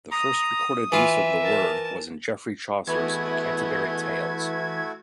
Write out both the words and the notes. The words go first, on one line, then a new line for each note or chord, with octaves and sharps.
The first recorded use of the word was in Geoffrey Chaucer's "The Canterbury Tales".
A#5 D#6
E3 F4 E5
A#4 A5
E3 G#3 A3 B3 E4 F#4 G#6